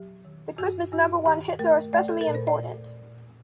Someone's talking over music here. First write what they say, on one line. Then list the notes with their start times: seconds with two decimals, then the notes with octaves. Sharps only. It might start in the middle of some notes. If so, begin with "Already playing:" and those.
The Christmas number one hits are especially important.
Already playing: F#3 G4
0.25 D#3
0.58 G2 F#4
0.92 G2 F#4
1.26 D#3 G4
1.59 A3 A#4
1.93 A3 D5
2.08 A4
2.21 A#4
2.27 A#2
2.35 C5
2.47 D5